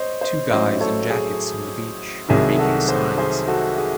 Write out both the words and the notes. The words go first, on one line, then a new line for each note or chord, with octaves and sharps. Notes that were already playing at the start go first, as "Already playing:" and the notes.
Two guys in jackets on the beach are making signs.
Already playing: C5 C#5 D#5
C5 D#5
A1 A2 F#3 C5 D#5
A4 C#5
G#4
C2 C3 D#3 F#3 G#4
F#4 A4
G#4 C5
G#4 C5
F#4 A4
G#4